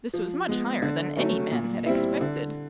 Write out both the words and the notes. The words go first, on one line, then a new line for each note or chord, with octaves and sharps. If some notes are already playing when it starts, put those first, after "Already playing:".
This was much higher than any man had expected.
F3
G#3 B3
D3
F#3 A3 C#4
A#2
G3 C4 E4
D3